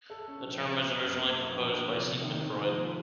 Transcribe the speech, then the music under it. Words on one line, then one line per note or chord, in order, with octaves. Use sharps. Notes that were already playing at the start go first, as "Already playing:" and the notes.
The term was originally proposed by Sigmund Freud.
A4
C#4
A#1
C4
A#3
F#2
F#3
A#3
A#1
A#1
C3
C3
D#3
D#3
F3
A#3